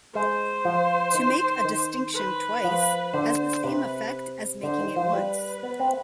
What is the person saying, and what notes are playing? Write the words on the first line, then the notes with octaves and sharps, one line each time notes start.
To make a distinction twice has the same effect as making it once.
G#3 C5
F3
D#3
D#3
B4
F3
D3 C5
C3 B4
D3 C5
D#3
F3
G3 B4
B3
C4